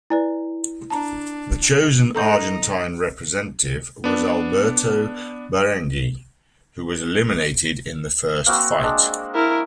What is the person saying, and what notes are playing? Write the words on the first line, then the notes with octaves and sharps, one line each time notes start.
The chosen Argentine representative was Alberto Barenghi, who was eliminated in the first fight.
E4 B4 D5 G#5
D4 A5 A#5
D#4 A4 A#5 G6
B3 D4
A#3 C4 F#4
G#3 D4
E4 A#4